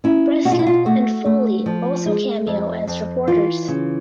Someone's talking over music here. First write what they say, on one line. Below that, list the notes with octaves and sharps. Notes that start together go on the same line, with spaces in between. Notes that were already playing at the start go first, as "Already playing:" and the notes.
Breslin and Foley also cameo as reporters.
C#4 E4
B2 F#4
F4
E4
F4
A3 F#4
A3
F3
G#3
F2
F2
E3 F4
C#3